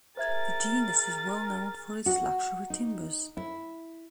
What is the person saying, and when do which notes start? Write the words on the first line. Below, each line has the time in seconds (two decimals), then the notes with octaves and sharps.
The genus is well known for its luxury timbers.
0.17 G#4 A#4 C5 E5 G#6 A6
2.06 F#4
2.70 D#4
3.37 E4